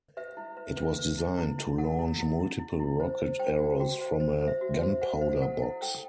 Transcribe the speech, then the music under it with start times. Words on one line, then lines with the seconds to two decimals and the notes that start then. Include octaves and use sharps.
It was designed to launch multiple rocket arrows from a gunpowder box.
0.17 B4 E5
0.37 E4
0.57 B4
0.78 B4
0.98 B4
1.18 E4
1.38 E4
1.58 E4
1.78 A4 F#5
1.99 E4
2.19 E4
2.40 E4
2.59 E4
2.79 E4
3.00 C5
3.20 C5
3.39 C5 G5
3.60 F#4
3.80 F#4 G5
4.01 C5
4.20 C5
4.41 C5
4.47 E5
4.61 F#4
4.75 E5
4.81 C5
5.01 C5 F#5
5.21 C5
5.42 A4 F#5
5.62 E4
5.82 A4 G5